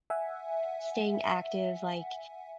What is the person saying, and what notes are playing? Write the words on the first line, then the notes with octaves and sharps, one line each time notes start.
staying active, like,
E5 F#5 G#5